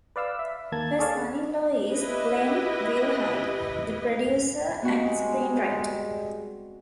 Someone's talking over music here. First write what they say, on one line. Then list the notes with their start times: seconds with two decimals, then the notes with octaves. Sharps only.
Her son-in-law is Glenn Wilhide, the producer and screenwriter.
0.16 B4 D5 F5 E6
0.39 E5
0.72 D#2 A#3 A5 G#6
0.99 G#4 A4 C#5 D5 F5 A5
1.92 E4 G4 B4 D#5
4.82 G3 G#3 B3 C4 F#4